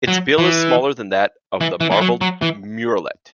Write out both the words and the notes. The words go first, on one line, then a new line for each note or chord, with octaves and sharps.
Its bill is smaller than that of the marbled murrelet.
F#3
E3
E3
E3
E3
F#3
F#3
E3